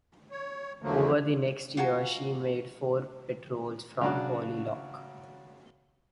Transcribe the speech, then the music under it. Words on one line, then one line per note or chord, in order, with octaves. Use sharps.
Over the next year, she made four patrols from Holy Loch.
C#5
E2 D3 F3 F#3 A3 A#3
F4 F#4 G#5 A#5
C#3 F#3 D4 F#4